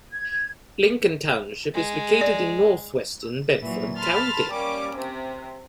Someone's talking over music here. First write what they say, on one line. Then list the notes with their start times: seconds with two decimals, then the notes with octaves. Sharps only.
Lincoln Township is located in northwestern Bedford County.
0.11 G#6
1.74 G#3
2.21 D5
3.62 A#2 E3 F#3
3.97 A5 B5 C6 F6 A6
4.52 G3 A#3 C#4 D6
4.95 C3